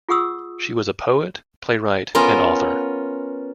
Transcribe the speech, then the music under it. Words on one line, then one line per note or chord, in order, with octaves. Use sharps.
She was a poet, playwright and author.
F4 G#4 F#5 C#6 D#6 E6
B3 C#4 F4 A#4